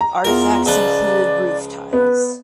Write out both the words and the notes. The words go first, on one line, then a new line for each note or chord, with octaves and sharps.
Artifacts included roof tiles.
A#5
E2 F4 A#4
C#2 F3 D5 F#5
B3 B4